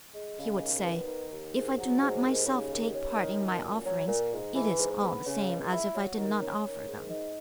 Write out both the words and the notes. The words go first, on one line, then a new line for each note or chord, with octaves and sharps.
He would say, "If I do not myself take part in my offerings, it is all the same as if I did not offer them."
G#3
C#3
D#2
B3
D#3
D#2
G#2
F#3
G#2
D#2
C#3
D#2
C#4
D#3
F#2
A#2
F#3
A#2
G#2
E3
G#2
B3
C#3
C#2
E4
F#3
D#3
C#4
D#3
G#2
D#4